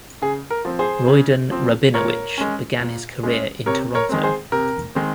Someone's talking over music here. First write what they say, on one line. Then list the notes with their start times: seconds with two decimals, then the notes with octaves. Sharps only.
Royden Rabinowitch began his career in Toronto.
0.22 C#3 G#4
0.51 A#4
0.65 F3 C4
0.79 G#4 C5
1.08 C#3
1.51 F3 C4
1.94 A#2 A#4 C#5
2.38 G#3 C#4
2.80 A#2
3.23 G#3 C#4
3.66 C3 A#4 C#5
3.95 A#4 C#5
4.09 D#3 G#3 C4
4.23 G#4 C5
4.52 C3 A#4
4.95 D#3 G#3 C4